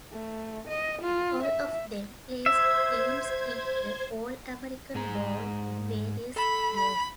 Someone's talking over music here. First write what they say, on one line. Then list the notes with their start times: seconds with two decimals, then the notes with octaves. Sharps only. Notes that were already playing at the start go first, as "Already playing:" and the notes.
All of them placed teams in the All-American Bowl in various years.
0.12 A3
0.68 D#5
1.02 F4
1.43 E5
2.46 C5 E5 G#6
4.95 G#2 G#4 A#5
6.36 A4 B5
6.76 B5